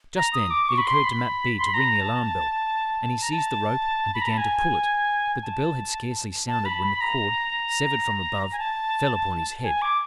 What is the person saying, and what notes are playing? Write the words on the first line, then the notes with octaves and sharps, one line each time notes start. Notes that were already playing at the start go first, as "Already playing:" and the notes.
Just then, it occurred to Mat Bee to ring the alarm-bell, and he seized the rope, and began to pull it; but the bell had scarcely sounded, when the cord, severed from above, fell upon his head.
A#5
D#6
D6
C#6
B5
C6
B5
C6
B5
A#5
A5
A#5
A5
B5
A#5
A5
G#5
A5
A5
B5
B5
A#5
G#5
A5
G#5
D6